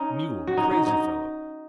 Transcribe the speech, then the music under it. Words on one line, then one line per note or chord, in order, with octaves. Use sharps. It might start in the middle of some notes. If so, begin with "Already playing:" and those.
Mule! Crazee fellow!
Already playing: C#4 D#4
F#4
D#4
D#4
D#4